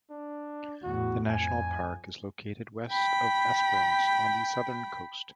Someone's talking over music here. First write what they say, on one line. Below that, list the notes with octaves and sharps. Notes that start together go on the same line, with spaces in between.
The National Park is located west of Esperance on the southern coast.
D4
E2 A2 F#4
F2 G#5
G5 B5